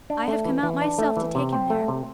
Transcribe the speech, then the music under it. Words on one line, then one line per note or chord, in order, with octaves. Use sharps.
I have come out myself to take him there.
D4
A3
E3
E3
D4
A3
E3
C3
C4
A3
C3